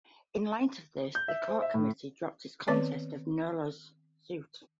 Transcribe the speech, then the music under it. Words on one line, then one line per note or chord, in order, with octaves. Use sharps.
In light of this, the court committee dropped its contest of Nolo's suit.
G6
E5
C5
E5
A2
D#3 B3 C4 B4 C#5